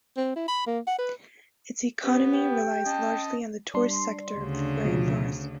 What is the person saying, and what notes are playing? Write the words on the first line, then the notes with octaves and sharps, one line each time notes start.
Its economy relies largely on the tourist sector of the rain forest.
C4
E4
B5
A#3
F#5
B4
B3 C#4 G4 C5
G4 G5
C#4 D#5 A5
G3 D4 C6
D2 C#3
B2 F3